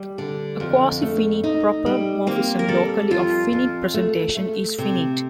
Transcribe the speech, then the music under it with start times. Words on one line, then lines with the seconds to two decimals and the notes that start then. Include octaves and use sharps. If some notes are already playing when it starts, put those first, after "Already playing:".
A quasi-finite proper morphism locally of finite presentation is finite.
Already playing: G3
0.18 D3
0.60 F2
1.02 A3
1.44 D#4
1.86 G3
2.27 A#3 C4
2.59 A#4
2.68 G3 A4
3.11 F2 F4
3.53 F2
3.94 A3
4.37 A3
4.78 C3